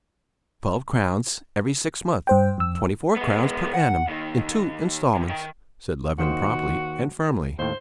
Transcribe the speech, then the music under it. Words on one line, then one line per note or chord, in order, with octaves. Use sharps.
"Twelve crowns every sixth month, twenty-four crowns per annum, in two instalments," said Levin promptly and firmly.
G2 C5 G5
F2 E6
G#3 B3
F#5
D#2 D#3
C3
D#3 G5
D#2 D#3 F#4 C5
D#2 A2 C5